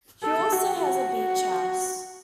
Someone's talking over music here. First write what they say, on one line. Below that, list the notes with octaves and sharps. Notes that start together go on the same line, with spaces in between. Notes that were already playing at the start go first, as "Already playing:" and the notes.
She also has a beach house.
A4
F#4
F#4